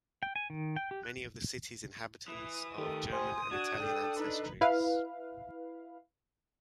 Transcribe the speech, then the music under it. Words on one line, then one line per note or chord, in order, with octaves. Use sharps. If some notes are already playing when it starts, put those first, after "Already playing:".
Many of the city's inhabitants are of German and Italian ancestries.
G5
G#5
D#3
G5
G4
F#6
E3 D#6
D#3 A3 G4 A4 D#6
C5 G#5 D#6
D4 F#4 G#6
A4 G5
D#4 B4
E4 B4 F5